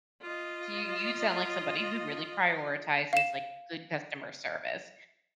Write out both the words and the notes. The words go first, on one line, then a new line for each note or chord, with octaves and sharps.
so you you sound like somebody who really prioritizes, like, good customer service,
F4 D#5
F5 E7